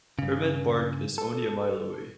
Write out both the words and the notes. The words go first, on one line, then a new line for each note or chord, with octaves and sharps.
Hermann Park is only a mile away.
G2 C#3
A4